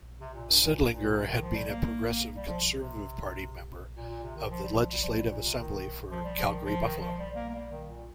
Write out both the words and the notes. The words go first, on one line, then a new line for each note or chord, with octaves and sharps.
Sindlinger had been a Progressive Conservative Party member of the legislative assembly for Calgary-Buffalo.
C3
A#2
G2
A#2
G2
A#2
C3
D#3
F3
G3
A#3
G3
F3
C3
A#2
A#2
C3
D#3
F3
G3
F3
G3
F3
G3
A#2
C3
D#3
F3
G3
F3
D#3
F3
D#3
F3
G3
A#3
A#3
G3
D#3
A#2